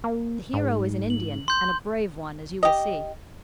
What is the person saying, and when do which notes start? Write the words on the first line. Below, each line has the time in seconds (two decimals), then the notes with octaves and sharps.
The hero is an Indian, and a brave one, as you will see.
0.04 A#3
0.53 G#2
1.10 F#7
1.48 C6 G6
2.63 G4 D#5